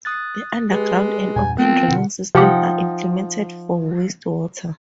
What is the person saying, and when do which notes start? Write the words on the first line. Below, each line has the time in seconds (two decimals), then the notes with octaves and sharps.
The underground and open draining systems are implemented for wastewater.
0.05 D#6 F#6 A6
0.70 G#3 G4 B4
1.36 E2 G2 A#2 G#5
1.58 F3 B3 C4 A#4 F#6
1.88 B2 D3 F#5
2.35 C3 F3 D#4 G4 F#5 G5